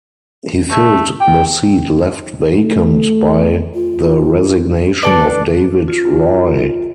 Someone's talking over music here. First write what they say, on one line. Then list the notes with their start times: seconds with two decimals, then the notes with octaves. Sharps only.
He filled the seat left vacant by the resignation of Dawid Rooi.
0.71 A3
1.21 G5
2.58 A3
3.74 F4
5.03 D4 A4 B4 D5
5.88 F4